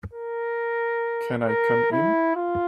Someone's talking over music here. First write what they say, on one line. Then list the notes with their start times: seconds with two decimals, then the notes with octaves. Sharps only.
Can I come in?
0.13 A#4
1.47 A#4
1.92 E4
2.36 F4